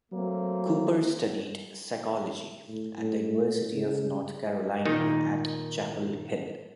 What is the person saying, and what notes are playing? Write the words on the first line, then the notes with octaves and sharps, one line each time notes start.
Cooper studied psychology at the University of North Carolina at Chapel Hill.
F#3 A3 A#3 C4
A2
A2
C#3
A#2 D#3 D#4